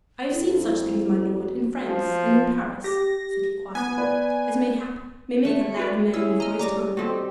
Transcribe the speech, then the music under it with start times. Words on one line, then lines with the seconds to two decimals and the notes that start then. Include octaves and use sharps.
"I have seen such things, my Lord, in France and in Paris," said he, quietly, "as, mayhap, may make a lad a man before his time."
0.31 F2 E4
1.35 F#4
1.87 F3
2.84 G4 A#6
3.75 B3 G#5
3.98 B4 D5 B5
5.45 A3 C#6
5.77 F#4 B4 D5
6.14 C#4 E4 G#4 E6
6.40 D#5 A#5 F6
6.59 G3 A#5 D6 A#6
6.97 C4 F#4 G4 A4 D#5